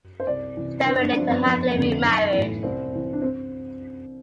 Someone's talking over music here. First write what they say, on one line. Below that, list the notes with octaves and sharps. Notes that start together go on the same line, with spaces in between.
Steinway later happily remarried.
C5
C2 D5
C3 E3
G1 B4
D4
G2 F3 C4
B3
F1
F2 D3
B1
A2 E3
C2 C4
C3 E3
D4
C4